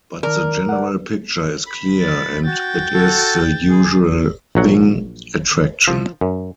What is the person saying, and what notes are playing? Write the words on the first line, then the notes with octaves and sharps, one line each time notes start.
But the general picture is clear, and it is the usual thing: Attraction.
D#3 A#4 D5
D5 F#5
B5
A6
F#4 G5 A6
F#4 A4
G#4
A#1 F#3 F#5
F3
F#2